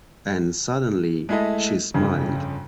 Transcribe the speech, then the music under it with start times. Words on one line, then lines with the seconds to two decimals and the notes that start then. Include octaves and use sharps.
And suddenly she smiled.
1.29 G#3 A3 E4 A4 D#5
1.94 G1 F2 C#3